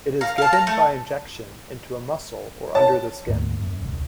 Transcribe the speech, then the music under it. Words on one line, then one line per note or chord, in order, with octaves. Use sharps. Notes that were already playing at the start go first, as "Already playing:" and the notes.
It is given by injection into a muscle or under the skin.
F5 A#5
F5 A5
A#5
A3
C#5 A5
D2 G#2 A#3 B3
F#2
D#1 C2